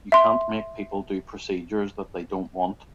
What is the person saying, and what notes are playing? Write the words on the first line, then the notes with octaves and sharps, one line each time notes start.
You can't make people do procedures that they don't want.
E5 C6